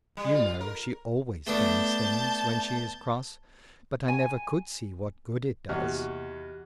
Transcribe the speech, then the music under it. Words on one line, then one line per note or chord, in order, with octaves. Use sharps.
You know she always bangs things when she is cross, but I never could see what good it does.
G3
F4
A#4
A3 B3 D4 A5 G6
G#5
E2 C3 E3 A#3 F#4 G4 D#5 F6